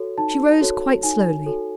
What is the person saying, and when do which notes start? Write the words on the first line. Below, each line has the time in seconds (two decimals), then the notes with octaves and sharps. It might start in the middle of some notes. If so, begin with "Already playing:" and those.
She rose quite slowly.
Already playing: F#4 A4 C#5
0.18 D#4 A5
0.61 F#4 A4 C#5
1.03 D#4 G#5
1.46 F#4 A4 C#5